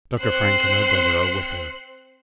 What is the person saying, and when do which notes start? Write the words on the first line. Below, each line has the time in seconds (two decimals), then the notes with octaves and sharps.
Dr. Frank and her brother are with her.
0.20 C4 C5 F#6 C7 C#7